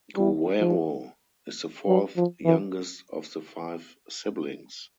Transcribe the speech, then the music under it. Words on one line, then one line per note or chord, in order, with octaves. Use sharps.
Guerrero is the fourth youngest of the five siblings.
G3
F3
F#3
F3
E3